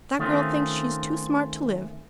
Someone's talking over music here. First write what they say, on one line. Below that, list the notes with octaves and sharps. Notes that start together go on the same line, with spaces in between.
That girl thinks she's too smart to live.
D#3 A3 C4 C#4 F4